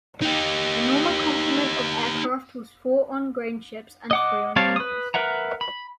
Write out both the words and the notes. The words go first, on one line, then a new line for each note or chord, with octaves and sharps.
The normal complement of aircraft was four on grain ships and three on tankers.
D#4 G4
D#5 F#5 D6
G3 C4 C#5 F5 A5
B4 D#6
A#4 B4 E5 F#5 A#5
B5